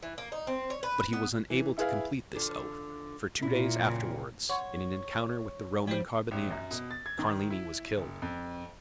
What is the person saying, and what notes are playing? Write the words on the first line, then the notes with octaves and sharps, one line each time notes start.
But he was unable to complete this oath, for two days afterwards, in an encounter with the Roman carbineers, Carlini was killed.
E3
A#3
D#4
C4
C#5
B4
B3
E3
E4 G#4 B4 F5
D3 F3
A#2 E4
F#2 C#3 C4
C#5 F#5 C6
F3 G3 C5
A1
F#2
B2
A6
G#6
D#3
E4
F#1
F2